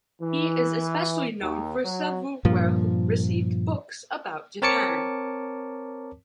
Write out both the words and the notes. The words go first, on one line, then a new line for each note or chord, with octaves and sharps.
He is especially known for several well-received books about Japan.
E3
D#2
F#3
G2 A#2 F3
C4 A#4 C#5 A5 D6 C#7